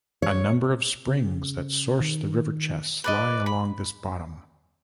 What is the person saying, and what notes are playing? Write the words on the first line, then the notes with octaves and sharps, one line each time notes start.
A number of springs that source the River Chess lie along this bottom.
C#5
C#3
D#3
B4 D5 D#5
B5